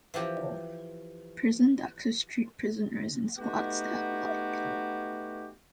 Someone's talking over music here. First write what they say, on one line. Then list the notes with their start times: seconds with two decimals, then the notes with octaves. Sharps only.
Prison doctors treat prisoners and Squad staff alike.
0.14 E3 F3 G4 A#4
3.38 A3 B3 D#4 F#4 G4